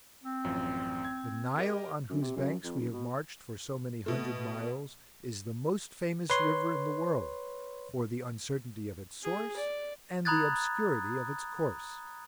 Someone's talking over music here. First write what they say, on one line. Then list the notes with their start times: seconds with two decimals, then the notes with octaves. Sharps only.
The Nile, on whose banks we have marched for so many hundred miles, is the most famous river in the world, for the uncertainty of its source and the obscurity of its course.
0.24 C4
0.44 A1 F#2 F3
1.05 G#6
1.58 G4 A#4 D#5
2.10 F#2
2.22 C3
2.36 F#2
2.64 F2
2.80 F#1
2.93 B2
4.06 B2 A3
6.30 B4 C#5 C6
9.23 G#4
9.57 D5
10.25 A#5 B5 D#6 F#6 G#6 A6